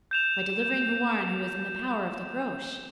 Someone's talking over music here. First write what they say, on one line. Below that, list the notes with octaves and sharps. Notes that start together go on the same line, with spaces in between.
'By delivering Houarn, who is in the power of the Groac'h.'
G6 E7 F7